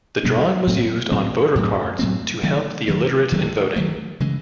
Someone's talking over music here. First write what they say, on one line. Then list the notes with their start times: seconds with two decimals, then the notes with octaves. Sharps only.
The drawing was used on voter cards to help the illiterate in voting.
0.23 B2 G3 B3 D4
0.67 A2 F#3 A3 C4
1.12 A2 F#3 A3 C4
1.55 A2 F#3 A3 C4
1.99 A2 F#3 A3 C4
2.43 D#3 F#3 A3
2.88 D#3 F#3 A3
3.32 D#3 F#3 A3
3.76 D#3 F#3 A3
4.20 C#3 E3 G#3